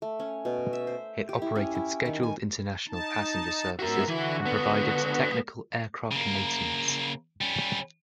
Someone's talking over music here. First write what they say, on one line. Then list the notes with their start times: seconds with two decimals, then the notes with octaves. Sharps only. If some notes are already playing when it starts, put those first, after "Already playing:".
It operated scheduled international passenger services and provided technical aircraft maintenance.
0.02 A3
0.19 C#4
0.45 B2
0.73 E5
0.87 C5
1.29 G4
1.42 E4
1.56 C#4
1.75 E4
2.05 D#3
2.23 G#5
2.88 D#4 A5
3.79 G#2 B3 F#4 A#4 E5
4.08 D3 E3 E4 F#4
4.46 C#2 B3
6.11 C#3 A#3
7.41 G3 C#4